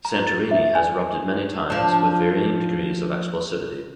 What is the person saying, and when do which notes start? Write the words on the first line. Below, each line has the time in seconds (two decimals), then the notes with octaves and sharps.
Santorini has erupted many times, with varying degrees of explosivity.
0.05 A#5
0.27 A6
0.51 E5
0.75 G#5
1.70 F3 D4